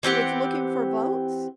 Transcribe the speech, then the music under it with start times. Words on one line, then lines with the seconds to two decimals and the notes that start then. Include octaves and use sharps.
was looking for votes?
0.03 E3 C4 G4 F#5